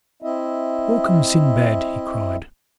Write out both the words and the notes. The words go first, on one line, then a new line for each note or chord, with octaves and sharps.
"Welcome, Sindbad," he cried.
C4 E4 D#5 E5